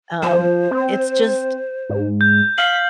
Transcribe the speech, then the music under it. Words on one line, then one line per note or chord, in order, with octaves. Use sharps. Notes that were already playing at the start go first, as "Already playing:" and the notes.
um, it's just
F3 C5
C4
G#2
G6
F5 F6 B6 F#7